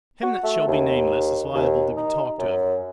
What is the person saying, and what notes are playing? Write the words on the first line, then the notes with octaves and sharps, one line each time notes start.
Him that shall be nameless is liable to be talked over.
F#4
A3
D#2
D#2
D#4
F#2